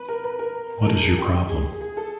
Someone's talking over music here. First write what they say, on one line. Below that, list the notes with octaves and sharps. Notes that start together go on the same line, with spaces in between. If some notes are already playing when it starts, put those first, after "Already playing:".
What is your problem?
Already playing: B4
A#4
B4
A#4
A#4
A4
G#4
G4
G#4
G#4
A4